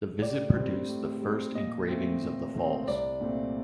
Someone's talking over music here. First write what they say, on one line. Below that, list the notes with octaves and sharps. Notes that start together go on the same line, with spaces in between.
The visit produced the first engravings of the falls.
A2 D5
G3 C4
A2
G3 C4
A#2 D#5
A3 C4
A#2
A3 C4
C5
C2 D5
A#2 A3 C4